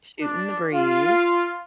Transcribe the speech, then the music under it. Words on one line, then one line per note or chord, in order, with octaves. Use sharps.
Shooting the breeze.
D4
F4